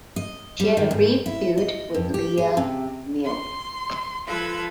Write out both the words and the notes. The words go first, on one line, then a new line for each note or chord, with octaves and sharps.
She had a brief feud with Leia Meow.
D#5
G3
D#3
G#2
E4
D#5
F2
G4
G#4
C3
C6
F3 F4 A4 B4 F#6 G#6